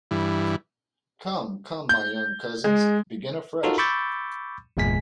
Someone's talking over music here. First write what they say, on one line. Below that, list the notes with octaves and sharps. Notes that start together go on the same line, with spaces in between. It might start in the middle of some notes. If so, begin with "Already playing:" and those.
Come, come, my young cousins, begin afresh!
G2 E3
G6
G#3
D#4 F4 F#4 A4 A#4
B5 C#6 D6 E6 G6 A6
G1 E2 A#2 G#3 G#5 B6